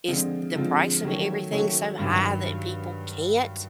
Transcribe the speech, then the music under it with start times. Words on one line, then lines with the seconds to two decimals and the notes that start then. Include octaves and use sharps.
is the price of everything so high that people can't?
0.08 D3 F3 G#3 C4 F4
0.55 D3 F3 G#3 C4 F4
1.04 D#3 F#3 A3 C#4
1.51 D#3 F#3 A3 C#4
1.99 G2 D#3 F#3